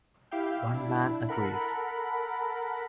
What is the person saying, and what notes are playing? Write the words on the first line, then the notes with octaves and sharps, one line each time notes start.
One man agrees.
E4 G4 E5 F5 G5
D4 E4
A4 A#4 F#5 B5